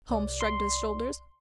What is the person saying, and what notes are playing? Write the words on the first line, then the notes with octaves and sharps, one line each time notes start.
Holmes shrugged his shoulders.
C2 D5
C6